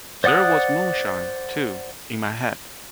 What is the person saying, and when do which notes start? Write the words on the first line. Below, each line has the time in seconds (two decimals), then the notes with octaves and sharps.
There was moonshine, too, in my head.
0.24 C5 D5 F#5 D#6 F#6